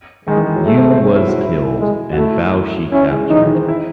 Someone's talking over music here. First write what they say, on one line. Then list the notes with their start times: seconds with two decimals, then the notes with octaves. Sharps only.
You was killed, and Bao Si captured.
0.28 D#3 G#3
0.37 E3
0.47 G#3
0.56 F#3
0.65 G#3 A3
0.77 C4
0.90 C4
1.03 C#4
1.16 E4
1.28 F#4
1.41 E4
1.79 G#3
2.13 F#4
2.16 A3 E4
2.92 C#4 E4
3.11 G#3
3.30 E3 D#4
3.43 D#3
3.55 C4
3.69 E4